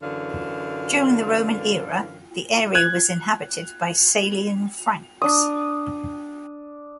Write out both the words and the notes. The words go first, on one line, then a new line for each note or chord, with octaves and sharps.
During the Roman era, the area was inhabited by Salian Franks.
F#2 D3 E3 F5
F#6 G#6
D4 D#6